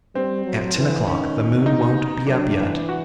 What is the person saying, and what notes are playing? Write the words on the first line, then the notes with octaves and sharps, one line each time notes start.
At ten o'clock the moon won't be up yet.
G3 C4
F#3
E3
D#3 C#4
D#4
F#3 D4
E3
F#4